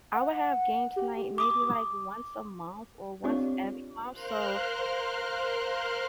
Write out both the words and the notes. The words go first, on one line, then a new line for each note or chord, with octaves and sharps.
I would have games night maybe like once a month or once every month, so
F#5
G4
D6 D#6
C4 D4 F4 G4 C#5 D5
A#4 C5 F5 C6 F6 F#6